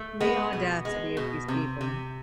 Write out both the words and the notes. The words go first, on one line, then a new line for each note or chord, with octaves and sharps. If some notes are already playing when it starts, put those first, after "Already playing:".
The audacity of these people.
Already playing: A3
G#3 B3
B2
G#3
B2
C3
C3